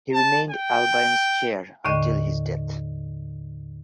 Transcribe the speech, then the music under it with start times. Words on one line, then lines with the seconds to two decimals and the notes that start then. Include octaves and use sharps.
He remained Albion's chair until his death.
0.13 A5
0.51 G5
1.85 D#2 A2 D3 D#5